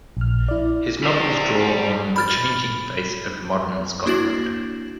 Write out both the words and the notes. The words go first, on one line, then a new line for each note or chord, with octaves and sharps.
His novels draw on the changing face of modern Scotland.
A#1 F6
E4 D5
G3 C5
B5 F6 A6
A#3 D4 E4 F#4 A6 F#7